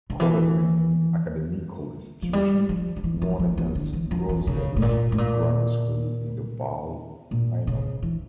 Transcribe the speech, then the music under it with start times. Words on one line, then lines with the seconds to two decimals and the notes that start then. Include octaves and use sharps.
Coleraine Academical Institution won against Grosvenor Grammar School in the Bowl final.
0.10 D3
0.20 E3
2.22 F3
2.33 G3
2.69 F3
2.96 F3
3.04 E3
3.22 F3
3.40 F3
3.57 E3
3.75 D3
3.93 E3
4.11 F3
4.29 E3
4.47 C#3
4.77 A2
4.82 A#2
5.12 A2
5.18 A#2
7.31 A#2
7.67 C#3
8.02 E3